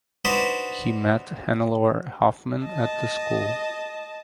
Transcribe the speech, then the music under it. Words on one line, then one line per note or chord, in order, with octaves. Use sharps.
He met Hannelore Hoffmann at the school.
D4 D#4 F#4 B4 C5 D5
D#5 A5